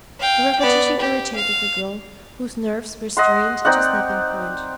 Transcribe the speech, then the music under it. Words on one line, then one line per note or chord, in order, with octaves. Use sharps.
The repetition irritated the girl, whose nerves were strained to snapping point.
F5 G5
B3 D5
G4
F5
D#5 F#5 C6
C4 D#4 D5 F#5